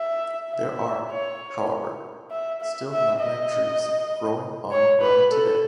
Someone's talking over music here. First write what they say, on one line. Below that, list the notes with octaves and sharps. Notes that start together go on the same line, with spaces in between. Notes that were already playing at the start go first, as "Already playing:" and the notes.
There are, however, still nutmeg trees growing on Run today.
Already playing: E5
E5
C#5
E5
E5
E5
D#5
C#5
B4
A4